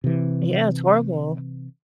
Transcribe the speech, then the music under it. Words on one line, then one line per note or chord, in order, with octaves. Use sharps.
Yeah, it's horrible.
C3 E3